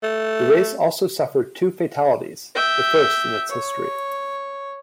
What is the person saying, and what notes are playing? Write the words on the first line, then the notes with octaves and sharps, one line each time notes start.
The race also suffered two fatalities, the first in its history.
A3
E5 G5
C#5